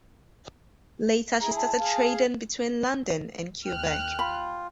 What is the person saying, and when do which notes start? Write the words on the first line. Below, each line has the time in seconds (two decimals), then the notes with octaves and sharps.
Later she started trading between London and Quebec.
1.41 E4 G#4 A#5
1.56 A5
1.80 G#4 F5
3.66 D#2 G5 F6 F#6
4.19 F4 B5